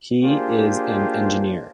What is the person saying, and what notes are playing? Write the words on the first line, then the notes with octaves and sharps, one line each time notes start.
He is an Engineer.
A#3 D4 F4 G4 G#4 C5